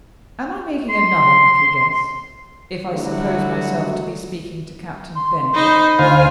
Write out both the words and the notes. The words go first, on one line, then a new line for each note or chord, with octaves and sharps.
"Am I making another lucky guess if I suppose myself to be speaking to Captain Bennydeck?"
C6
D3 F#3 G3 A3 E4 F#4
C6
D#4 C5 B5
D2 F4 C5 F5 G#5